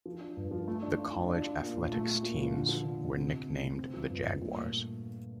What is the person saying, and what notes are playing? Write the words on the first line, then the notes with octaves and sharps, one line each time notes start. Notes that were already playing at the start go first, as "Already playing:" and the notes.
The college athletics teams were nicknamed the Jaguars.
F3
D4
G2
F3
A3
D4
F4
F4
D4
F4
A#2
F4
A3
A3
A#2
F3
D3
F3
D3
D3
C3
C3
C3
A3
C4
F3
G2
G2
A#2
A3